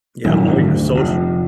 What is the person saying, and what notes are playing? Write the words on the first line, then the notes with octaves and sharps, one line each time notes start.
yeah, all your soc
D#1 F#2 E3
G#1 D3 F#3
D2
F1